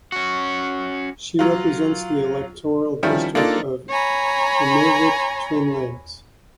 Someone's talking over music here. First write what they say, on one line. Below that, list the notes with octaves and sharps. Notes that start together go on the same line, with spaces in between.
She represents the electoral district of Inuvik Twin Lakes.
C#4 F#4
F#3 F4
D#3 F3 G3 C#4 E4
A#3 D4 D#4 F4 A4
C#5 G#5 A#5 B5